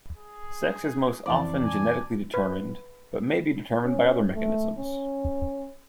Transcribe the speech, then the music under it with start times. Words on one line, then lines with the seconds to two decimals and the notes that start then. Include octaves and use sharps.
Sex is most often genetically determined, but may be determined by other mechanisms.
0.17 G#4
1.26 F2 E3 C4 D5 A5
1.64 G#5
2.34 B4
3.85 C#4
4.35 A3
4.78 C#4